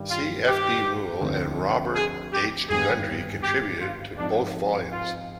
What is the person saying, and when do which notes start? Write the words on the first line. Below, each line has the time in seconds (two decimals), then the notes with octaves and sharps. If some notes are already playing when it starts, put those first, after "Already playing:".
C. F. D. Moule and Robert H. Gundry contributed to both volumes.
Already playing: G2 D#3 G3 D4
0.10 F4
0.47 G4
1.21 D2 D3 F3 C4 D#4
1.95 G#4
2.33 G4
2.69 G#1 G2 D3 G3 B3 G#4
3.43 G4
3.81 F4
4.18 G#2 F3 C4 D4 D#4
4.92 F4